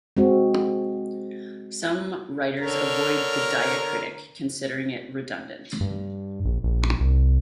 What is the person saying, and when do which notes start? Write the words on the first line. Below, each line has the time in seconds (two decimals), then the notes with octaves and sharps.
Some writers avoid the diacritic, considering it redundant.
0.17 G#3 C4 F#4
2.60 D3 A#4 C#5
5.81 G2
6.45 A#1
6.63 A#1
7.00 C2